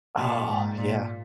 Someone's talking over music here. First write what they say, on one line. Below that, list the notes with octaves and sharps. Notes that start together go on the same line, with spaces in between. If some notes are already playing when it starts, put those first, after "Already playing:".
Oh, yeah.
A#2
G#2
A#2